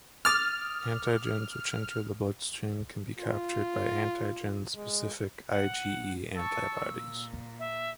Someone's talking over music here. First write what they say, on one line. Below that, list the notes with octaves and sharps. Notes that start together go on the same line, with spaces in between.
Antigens which enter the blood stream can be captured by antigen specific IgE antibodies.
D6 D#6 F6 A6
F4
G#3
F#5
A5 C#6 E6
A#2
E5